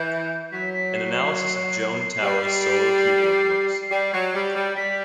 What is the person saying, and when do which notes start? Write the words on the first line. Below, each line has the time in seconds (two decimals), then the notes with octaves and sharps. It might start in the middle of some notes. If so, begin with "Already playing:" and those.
An analysis of Joan Tower's solo keyboard works.
Already playing: E3 G6
0.52 F#3 B6
0.73 B6
0.95 C7
1.16 C7
1.37 C7
2.22 G3
3.91 G3
4.12 F#3
4.34 G3
4.55 G3
4.75 G3 B6